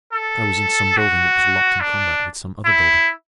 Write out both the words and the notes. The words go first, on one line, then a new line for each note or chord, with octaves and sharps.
I was in some building that was locked in combat with some other building.
A4
F#4
D4
E4